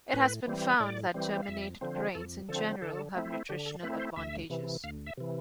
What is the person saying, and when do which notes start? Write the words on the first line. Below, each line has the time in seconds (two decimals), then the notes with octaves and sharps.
It has been found that germinated grains in general have nutritional advantages.
0.13 A2 B4
0.47 E3 G3 C4
0.80 A2 D5
1.14 E3 G3 C4
1.43 F5
1.48 F2 E5
1.81 D3 F3 C4
2.15 F2 A4
2.49 D3 F3 C4 A4
2.82 D3 A4
3.16 A3 C4 E4
3.49 D3 G4
3.66 A4
3.83 A3 C4 E4 B4
4.00 C5
4.16 D2 E5
4.50 C3 E3
4.84 D2 F5
5.07 E5
5.17 C3 E3